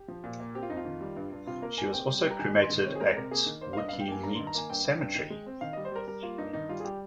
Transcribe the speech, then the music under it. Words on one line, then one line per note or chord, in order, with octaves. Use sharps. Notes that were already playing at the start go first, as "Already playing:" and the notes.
She was also cremated at Waikumete Cemetery.
Already playing: G4
F3
A#2
A#3
C4 G4
F4
F2 D#4
F4
D#3
G3
G2
G2
C3 F4
A#3 A#4
A#3 G#5
C4 G5
G3
G3
A#5
D#3 G#5
G#2
C6
D#3
C4 C#5
G#4
G#3 A#4
C3 A#4
A#3 G#4
D#3
A#3 C5
F5
G2 D#5
G2 F5
G5
A#3 G#5
G2 A#5
D#3 C6
A#5
A#3 G#5
G2 G5
G2
G2
D#3
G#3
C4
D#3 F5
G3 D#5
C5
G3 A#4
G3 A#4
A#3 F4
G2 D#4
D#3 D#4
G3 F4
G#4
G3 G4